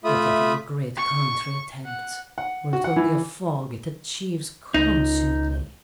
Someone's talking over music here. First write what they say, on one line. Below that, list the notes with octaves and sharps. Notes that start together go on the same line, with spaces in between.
'Whatever your great country attempts--were it only a fog--it achieves consummately.'
A3 F4 E5 B5 D#6
C#6
F#5
F#5
F#4
F#5
E3
C#2 D#4